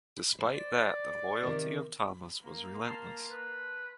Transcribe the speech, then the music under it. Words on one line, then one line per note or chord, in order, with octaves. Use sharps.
Despite that the loyalty of Thomas was relentless.
C5
D5
C3 D#3
A#3
A5 C6 F6
B4